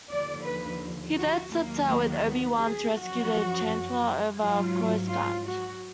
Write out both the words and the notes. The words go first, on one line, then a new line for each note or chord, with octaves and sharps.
He then sets out with Obi-Wan to rescue the Chancellor over Coruscant.
D#2 D3 F3 D5
B4
F#4
D#2 D#3 F#3 A#3
A#3
B3
G#4
F#2 F3 F#4
G#2 F#3 F4
F4
F#4